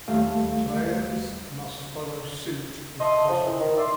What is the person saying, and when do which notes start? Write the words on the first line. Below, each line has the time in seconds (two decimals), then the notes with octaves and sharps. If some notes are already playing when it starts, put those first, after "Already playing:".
Players must follow suit if possible.
0.08 D#2 G3 A3 F5
2.99 D#5 E5 A5 C6 D#6
3.27 F2 G#2 C#3 F3
3.44 E3
3.59 D#3
3.77 D5 E5 C6